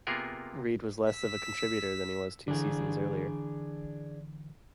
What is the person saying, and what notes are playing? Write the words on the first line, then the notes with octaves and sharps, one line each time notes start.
Reed was less of a contributor than he was two seasons earlier.
C3 A#3 B3 F4 G#4 A#4
E6 B6
D3 E3 D4 G#4